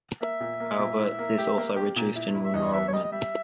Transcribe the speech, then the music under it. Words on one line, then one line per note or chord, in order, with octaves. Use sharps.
However, this also reduced enrollment.
A#3 E5
A#2
A#3
A#2
E4
A#3
G4
A#3
G4
A#2
E4
E4
E5
E2 D#5
B3 E5
C#5
G3 D#5
D#5
G3 E5